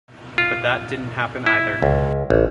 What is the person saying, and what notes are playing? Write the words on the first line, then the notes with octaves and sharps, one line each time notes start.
But that didn't happen either.
F4
E4
C#2
A1